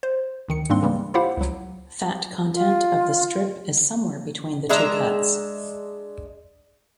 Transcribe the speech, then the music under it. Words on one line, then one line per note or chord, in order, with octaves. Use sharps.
Fat content of the strip is somewhere between the two cuts.
C5
D2 D#3 C#7
G#2 G3 A#3 C4 D4 C6
C#3 E3 G3 G#3 A#3
E4 F4 G4 C5 F5 F#5
C#2 F#3
F4
G#3 D4 E5 A#5